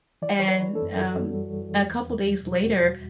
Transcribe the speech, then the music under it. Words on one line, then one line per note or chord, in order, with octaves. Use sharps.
And, um, a couple days later,
E3 D5
E3 C#5
B4
E3
A4
F#2
E3 F#4
G3
E3
E3
E2
E2
G3
B2
E2 F#4
E2